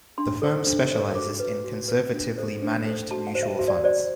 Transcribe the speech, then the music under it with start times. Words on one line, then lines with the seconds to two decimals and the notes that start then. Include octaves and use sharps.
The firm specializes in conservatively managed mutual funds.
0.18 D4 C6
0.42 A4 C5
0.67 D4
0.91 A4 C5
1.15 F#4 D6
1.40 B4
1.64 F#4
1.88 B4
2.13 D4
2.38 A4 C5
2.62 D4
2.87 A4 C5
3.11 F#4 A5
3.27 F#5
3.35 C5
3.43 E5
3.59 F#4 E5
3.68 D5
3.84 C5 D5